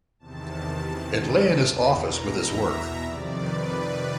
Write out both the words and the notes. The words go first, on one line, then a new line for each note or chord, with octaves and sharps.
It lay in his office with his Work.
E2 C3 D#3 A5
E2 B2
A#5
E5
E5
F2 C3 D#3 D5
B4
B4